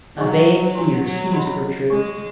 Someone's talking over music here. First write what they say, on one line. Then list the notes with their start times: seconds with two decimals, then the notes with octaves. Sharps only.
A vague fear seized Gertrude.
0.17 F#3 D#4 G#4 D#5 G#5 C#6
0.75 F#4 C#5 G#5
1.04 F#3
1.33 F#4 D#5 B5
1.90 G#3 G#4 C#5 G#5 C#6